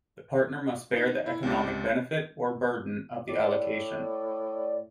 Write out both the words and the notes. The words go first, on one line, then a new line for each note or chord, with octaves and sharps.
The partner must bear the economic benefit, or burden, of the allocation.
D#4
E4
C#2 C3 D5
A2 D5